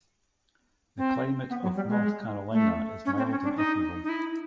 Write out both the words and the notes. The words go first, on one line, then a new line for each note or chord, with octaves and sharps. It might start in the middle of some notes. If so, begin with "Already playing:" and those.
The climate of North Carolina is mild and equable.
C4
B3
F#3
G3
G#3
A3
C#4
C4
C#4
D4
D#4
D#4
E4